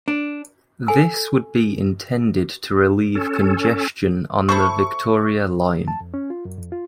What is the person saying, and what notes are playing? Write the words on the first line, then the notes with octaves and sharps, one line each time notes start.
This would be intended to relieve congestion on the Victoria line.
D4
A4 G#5 E6
C#4 A4
E4 A4 C5 C#6
A5
F2
C#4
F4
F#2
F2
F4